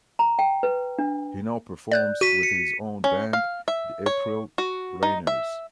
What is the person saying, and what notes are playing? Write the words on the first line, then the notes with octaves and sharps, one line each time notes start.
He now performs with his own band The April Rainers.
A#5
G5
B4
D4
D5 F#6 G6
F#4 B6 D#7
C#7
C#4
F5
E5
C#5
F#4
D#4
E5